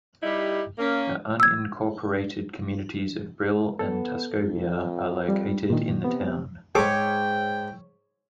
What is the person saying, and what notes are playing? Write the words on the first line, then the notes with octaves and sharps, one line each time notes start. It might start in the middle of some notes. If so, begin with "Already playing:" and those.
The unincorporated communities of Brill and Tuscobia are located in the town.
G3 D#4 E4 G4
A#3 C#4
E6 G#6
B3 A4
F2
G3
A#2 D#3
C3 B3
G#2 G#4 A4 C#5 G5 D6